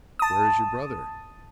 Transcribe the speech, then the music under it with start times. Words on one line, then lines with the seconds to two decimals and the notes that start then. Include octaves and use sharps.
"Where is your brother?"
0.19 A5 D#6